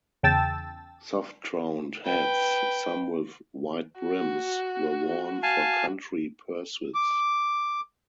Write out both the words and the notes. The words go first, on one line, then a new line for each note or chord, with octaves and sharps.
Soft-crowned hats, some with wide brims, were worn for country pursuits.
E2 C#3 G5 A5 E6 A6
B4 G5
F#4
F5 G#5 A5
D6